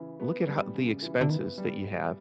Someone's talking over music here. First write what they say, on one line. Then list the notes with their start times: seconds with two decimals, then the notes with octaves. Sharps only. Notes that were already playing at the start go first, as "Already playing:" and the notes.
look at how the expenses that you have
Already playing: C#3 E3
0.20 B3
0.47 G3
0.74 C#3
1.02 E3
1.21 D3
1.29 D#3 B3
1.58 G3